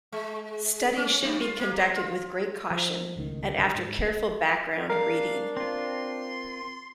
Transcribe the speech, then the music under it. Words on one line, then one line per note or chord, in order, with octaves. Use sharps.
Studies should be conducted with great caution, and after careful background reading.
G#3
C#4
F#2
F4
A#3
C5
F4
F3
D1 C#2 A2 D#3
D1 C2 D3
G#2
D4 A#4 F5
C4 F4 C6